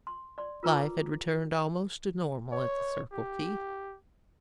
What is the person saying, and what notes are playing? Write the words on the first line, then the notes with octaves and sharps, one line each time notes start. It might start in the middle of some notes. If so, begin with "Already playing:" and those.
Life had returned almost to normal at the Circle T.
C6
D5 C6
F4 A#4 B4 A#5 D6
C#5
G4